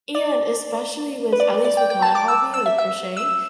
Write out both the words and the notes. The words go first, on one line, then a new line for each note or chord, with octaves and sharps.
And especially with, at least with my hobby, like crocheting
D5
B4
D5
D5
G5
G5
A5
D6
E6
E6
E5
E5
E6